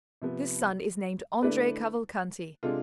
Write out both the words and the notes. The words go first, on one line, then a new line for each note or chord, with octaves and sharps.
This son is named Andrea Cavalcanti.
C3 F3 B3
D3 A3 E4 B4 D5
C3 G#3 D4 F4 A4